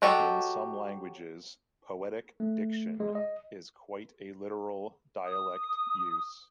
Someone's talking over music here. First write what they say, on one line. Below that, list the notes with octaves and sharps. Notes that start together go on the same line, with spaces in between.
In some languages, "poetic diction" is quite a literal dialect use.
F#3 F#4 G4 A4 D#5
A3
G#3
D#5
D#6